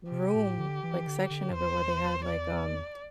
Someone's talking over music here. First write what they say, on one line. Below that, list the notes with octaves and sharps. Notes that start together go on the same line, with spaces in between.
room, like, section of it where they had, like, um,
C3 G4
A2
D3
E3
D3
D3
G2
E2 C5
D5